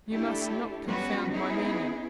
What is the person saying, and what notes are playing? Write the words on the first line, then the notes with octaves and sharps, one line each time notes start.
You must not confound my meaning.
A3 D4 E4 G4 A4
F#3 G3 B3 C#4 F#4 B4
B3 C#4 D#4 E4 G#4